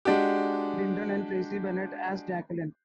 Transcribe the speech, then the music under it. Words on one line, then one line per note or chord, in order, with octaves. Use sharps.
Dindon and Tracie Bennett as Jacqueline.
G#3 D4 F#4 G4